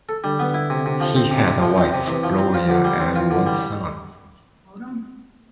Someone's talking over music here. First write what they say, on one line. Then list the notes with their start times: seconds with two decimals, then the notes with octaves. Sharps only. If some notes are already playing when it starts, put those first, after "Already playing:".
He had a wife, Gloria, and one son.
0.09 A4
0.24 D3 G3
0.39 B3
0.54 E4
0.70 C3
0.86 C3
1.00 F3
1.16 C4
1.31 C3
1.47 C3
1.62 F3
1.78 C4
1.93 C3
2.08 C3 E3
2.24 F3
2.38 C4
2.53 F3 F4
2.69 D3
2.85 G3
3.00 E3 C4
3.15 F4
3.31 D3
3.47 G3